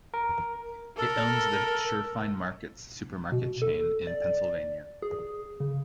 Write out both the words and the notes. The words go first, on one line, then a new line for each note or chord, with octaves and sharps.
It owns the Shurfine Markets supermarket chain in Pennsylvania.
A#4
A4 A#4
B2
A4
D5
G#4
C#3